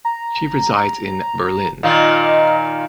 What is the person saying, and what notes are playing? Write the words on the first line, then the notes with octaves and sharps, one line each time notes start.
She resides in Berlin.
A#5
A#2 D#3 F4 D#5